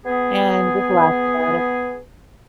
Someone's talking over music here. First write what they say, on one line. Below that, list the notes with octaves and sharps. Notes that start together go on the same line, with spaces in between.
and just laugh about it.
B3 G#4